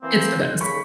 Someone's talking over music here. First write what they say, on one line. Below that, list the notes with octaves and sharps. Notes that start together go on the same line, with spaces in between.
It's the best.
E3 A#3 C4
D#2 C#3 B5 C#6